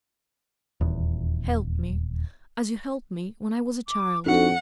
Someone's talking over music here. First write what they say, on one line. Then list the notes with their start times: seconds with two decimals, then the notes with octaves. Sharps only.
Help me, as you helped me when I was a child.
0.81 D#1 E2
3.88 D6
4.26 F2 D4 D#4 F#4 A4 F#5